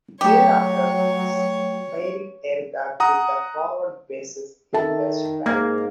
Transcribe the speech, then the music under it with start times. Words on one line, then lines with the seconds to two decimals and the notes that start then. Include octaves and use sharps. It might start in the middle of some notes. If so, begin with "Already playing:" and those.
Thereafter she ferried aircraft to forward bases in WestPac.
0.21 F#3 A3 G4 C#5 G5
3.00 F#5 A#5 D#6
4.73 D#3 A4 E5 A5
5.46 G#2 A#3 G#6